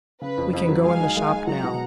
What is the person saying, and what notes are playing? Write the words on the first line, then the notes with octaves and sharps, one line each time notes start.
"We can go in the shop, now."
C#3 B4
F2
F2 B4
F#3
G#3 F5 G#5
D#4
G#3
G#3
F#3 F#5 A#5
B2